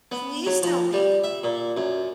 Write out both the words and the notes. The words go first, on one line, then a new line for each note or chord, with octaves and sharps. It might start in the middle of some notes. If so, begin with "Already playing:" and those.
Please tell me.
B3
F#3
F3
G3
E5
A#2
F#2